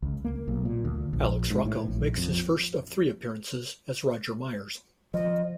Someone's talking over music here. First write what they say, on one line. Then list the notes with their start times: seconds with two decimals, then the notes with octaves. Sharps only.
Alex Rocco makes his first of three appearances as Roger Meyers.
0.02 C#2
0.25 A#3
0.48 B1
0.65 A#2
0.85 D2
1.13 A#1
1.50 G#2
1.65 A2
1.88 A#1
2.18 F2
5.14 F3 D#5